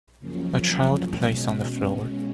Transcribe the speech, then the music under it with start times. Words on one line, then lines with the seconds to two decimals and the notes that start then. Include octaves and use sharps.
A child plays on the floor.
0.19 F#2 C#3 F3 A#3 C#4
1.13 B2 G#3 C#4